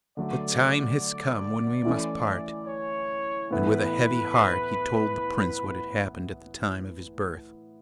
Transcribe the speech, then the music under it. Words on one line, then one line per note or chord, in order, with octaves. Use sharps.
The time has come when we must part,' and with a heavy heart he told the Prince what had happened at the time of his birth.
D3 F#3 A3 D5
E3 A3 C#4 E4
C#5
A2 E3 B3 E4 B4